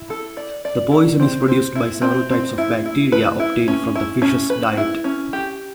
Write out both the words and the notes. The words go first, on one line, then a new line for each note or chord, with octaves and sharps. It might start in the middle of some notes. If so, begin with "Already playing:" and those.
The poison is produced by several types of bacteria obtained from the fish's diet.
Already playing: E4
A4
D5
D5
E4
C4
C4
E4
C4
C4
E4
E4
B4
E4
C#4
E4
C#4
B4
E4
C#4
G4